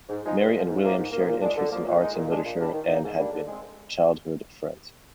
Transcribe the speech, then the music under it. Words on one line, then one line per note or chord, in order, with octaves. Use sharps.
Mary and William shared interests in arts and literature and had been childhood friends.
G#2
F3 G#3 D#4
G2
D3 F3
G#2
F3 A#3
G#2
F3 A#3
A#2
G#3 D4
D3
F3 A#3
A#2
G#3 D#4
A#2
G#3 D4
A#2
G3 D4
D#3
A#3 D#4
G#2
G3 A#3 D4
D3
G#3 C4